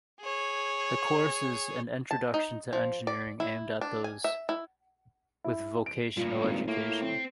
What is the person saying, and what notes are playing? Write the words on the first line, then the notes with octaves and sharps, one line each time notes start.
The course is an introduction to engineering aimed at those with vocational education.
G#4 C#5
A5
D#4
F3
D5
E4
D4
G#5
E5
E4
E4
D7
G2 A#2 F4
G#1
A2 A#3
C4